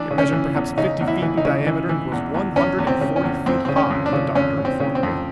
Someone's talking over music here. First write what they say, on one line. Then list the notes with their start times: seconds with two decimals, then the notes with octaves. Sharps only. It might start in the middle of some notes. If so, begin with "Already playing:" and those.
It measured perhaps fifty feet in diameter and was one hundred and forty feet high, the Doctor informed me.
Already playing: E3 D4
0.11 C#3
0.18 C#4
0.33 E3
0.55 E2
0.78 C#3 D#4
1.01 E2
1.08 E4
1.22 E3
1.37 D#4
1.45 C#3
1.67 E3
1.89 E3
2.12 E2
2.34 E2
2.56 E2 C#4
2.79 E2
2.87 C4
3.01 C#3
3.16 C#4
3.24 E2
3.46 F2 C4
3.65 C#3 C4
3.76 C#4
3.90 F2
4.06 D4
4.13 C#3
4.35 F2 C#4
4.57 C#3
4.65 C4
4.80 C#3
4.95 C4
5.03 F2